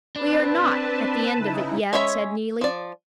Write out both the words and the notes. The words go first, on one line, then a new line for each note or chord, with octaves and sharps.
"We are not at the end of it yet," said Neelie.
C4 D4 B4 A5
C#3 D#4 E4
G#3 C#4 C#5 E5 B5
F3 D5